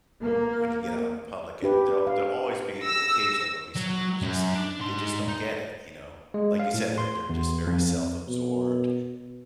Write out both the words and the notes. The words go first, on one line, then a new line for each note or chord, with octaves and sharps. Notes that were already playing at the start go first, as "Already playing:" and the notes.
When you get out in the public and they'll they'll always be e occasionally, there'll be someone that's just they just don't get it, you know? Like you said, they're they're just very self-absorbed
A#3
D4 G4 B4
F5
E6 A#6
F#3
F#2
D4
G#2 C6
D#4
G#3
F5
A2
C6
E2
F2
B2